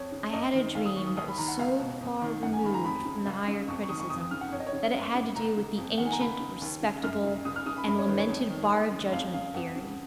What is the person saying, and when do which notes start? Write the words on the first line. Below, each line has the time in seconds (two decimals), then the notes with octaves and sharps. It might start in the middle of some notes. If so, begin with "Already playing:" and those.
I had a dream that was so far removed from the higher criticism that it had to do with the ancient, respectable, and lamented bar-of-judgment theory.
Already playing: F2 C#5
0.12 C#3
0.33 F#2 D#5
0.54 D#3
0.75 D#2 F5
0.86 D#6
0.96 D#3 C#6
1.06 D#6
1.17 D#2 D#6
1.28 B5
1.38 D#3 A#5
1.48 F#5
1.59 C#2 F5
1.79 B2
2.01 F2
2.22 D#3
2.42 F#2 F#5
2.53 G#5
2.64 D#3 B5
2.74 A#5
2.84 F2 B5
3.05 C#3
3.27 C#2
3.47 C#3
3.68 F2 C#6
3.83 C#6
3.89 D#3 D#6
4.00 C#6
4.10 F2 D#6
4.21 D#6
4.31 C#3 F6
4.41 F#5
4.52 F2 C#5
4.60 D#5
4.67 C#5
4.73 C#3
4.94 F#2
5.15 C#3
5.36 C#2 A#5
5.57 C#3
5.78 F2
5.98 D#3 F#5
6.05 G#5
6.12 A#5
6.20 C#2 B5
6.40 C#3
6.62 D#2
6.82 C#3
7.03 F#2 F6
7.24 C#3
7.45 C#2 D#6
7.56 F6
7.66 C#3 D#6
7.77 B5
7.87 F#2 B5
7.98 C#5
8.08 D#3 B4
8.18 C#5
8.29 F2
8.50 D#3
8.71 D#2
8.92 C#3
9.12 F2 F5
9.33 C#3 F5
9.54 F2 F#5
9.75 C#3